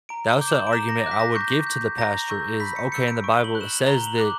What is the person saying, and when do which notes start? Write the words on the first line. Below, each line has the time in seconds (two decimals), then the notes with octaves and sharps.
that's a argument I would give to the pastor is, okay, in the Bible it says that
0.09 A#5 D7
0.31 G7
0.41 D6 G6
0.48 E7
0.51 F#7
0.67 D7
0.73 A#5 E7
0.89 A#6
1.04 D6 F#6
1.11 B6
1.20 A#6
1.35 C#6 G6
1.67 G6
1.98 A#5 A#6
2.30 C#6 E6 G6
2.60 B5 B6
2.76 C#7
2.92 E6 G6 C#7
3.08 D7
3.24 C#6 D7
3.37 G7
3.44 F#7
3.55 F#6
3.61 E7
3.65 F#7
3.86 A#5 G7
4.07 F#7
4.18 D6 F#6